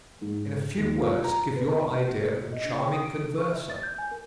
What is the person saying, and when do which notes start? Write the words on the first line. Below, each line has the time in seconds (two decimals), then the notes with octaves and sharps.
In a few words give your idea of a charming converser.
0.21 G#2
0.77 D#2
0.98 F4
1.24 A#5
1.55 B4
2.52 D#5
2.65 D4
2.79 G5
2.93 D#6
3.05 D7
3.22 A4
3.38 C#6
3.52 E5
3.70 A6
3.83 G6
3.98 G#5
4.11 A#4